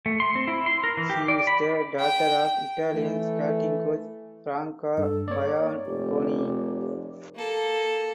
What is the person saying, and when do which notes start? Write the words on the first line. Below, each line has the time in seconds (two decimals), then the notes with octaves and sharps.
She is the daughter of Italian skating coach Franca Bianconi.
0.06 A3
0.20 C6
0.35 C4
0.48 E4
0.66 C6
0.84 A#4
0.97 E3
1.10 G4
1.28 D5
1.47 B5
1.99 G5
2.90 E3 A3
4.98 G2 A4
5.28 A#3 C#5 D5
5.86 F1 G4
7.35 A#3 A4